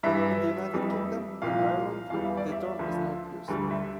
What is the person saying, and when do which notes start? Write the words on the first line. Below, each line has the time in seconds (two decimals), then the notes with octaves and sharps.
In the United Kingdom and Ireland, the term is not used.
0.03 G2 E3 G3 E5
0.73 F2 E3 G3
1.42 C2 A#2 F3 F5
2.10 E2 E3 G3 F5
2.24 E5
2.37 D5
2.52 E5
2.79 D2 D3 F3
3.48 D2 D3 G3
3.71 E5